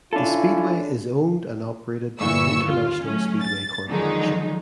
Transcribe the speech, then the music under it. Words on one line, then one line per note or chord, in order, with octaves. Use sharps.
The speedway is owned and operated by International Speedway Corporation.
C#4 D4 E4 F4 A4
G1 A#2 E3 C#6 E6 C#7
D#2 F4
F#3 A3 C#4
A6
D3 D#3 F3 F#3 G#3 D#4